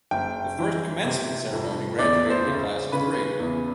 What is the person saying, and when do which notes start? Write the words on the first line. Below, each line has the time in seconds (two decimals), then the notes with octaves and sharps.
The first commencement ceremony graduated a class of three.
0.11 F#1 G5
0.59 E3
1.05 C3
1.53 F2
1.99 E2 D5
2.30 C5
2.46 C#3
2.92 C#3 B4
3.40 E2